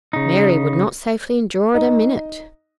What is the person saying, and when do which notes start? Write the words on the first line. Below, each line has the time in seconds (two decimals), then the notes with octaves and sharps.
Mary would not safely endure it a minute.
0.13 C#3 D#4
1.74 D#4 D#5